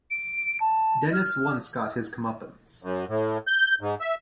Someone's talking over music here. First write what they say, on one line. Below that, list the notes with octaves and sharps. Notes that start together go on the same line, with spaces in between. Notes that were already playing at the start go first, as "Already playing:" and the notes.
Dennis once got his comeuppance.
D7
A5
F6
F#2
A2
G6
G#2
E5